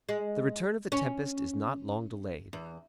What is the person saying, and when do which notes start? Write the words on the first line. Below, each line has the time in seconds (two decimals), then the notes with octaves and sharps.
The return of the tempest is not long delayed.
0.09 G#3
0.92 C#4
2.53 E2